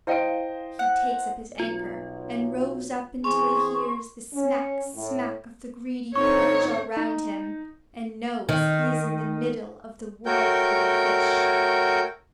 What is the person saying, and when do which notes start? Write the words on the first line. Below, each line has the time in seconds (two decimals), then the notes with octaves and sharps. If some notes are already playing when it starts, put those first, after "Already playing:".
He takes up his anchor, and rows up until he hears the smack, smack of the greedy perch all round him, and knows he is in the middle of the whirlpool of fish.
0.07 E4 C5 D#5 F5 G5 D7
0.79 F#5
1.60 B1 F4
3.24 E3 C4 G#4 C6 C#6
4.34 C#4
4.95 A2
6.16 D3 C4 D#4 F4 C#5 C#6
6.97 D#4
8.49 D#3
10.26 A3 F#4 A#4 C#5 G5 G6